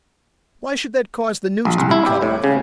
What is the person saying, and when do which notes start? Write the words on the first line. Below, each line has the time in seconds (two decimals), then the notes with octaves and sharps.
Why should that cause the news to be cut off?
1.65 A#1
1.78 C2
1.91 E4
2.06 G4
2.22 A2
2.44 C#3